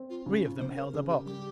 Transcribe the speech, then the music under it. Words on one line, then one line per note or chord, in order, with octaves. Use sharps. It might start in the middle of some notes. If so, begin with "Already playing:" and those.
Three of them held a box.
Already playing: C4
F4
C#3 D#4
F4
C#3 C5
A#4
C#3 G#4
G4
G3 G4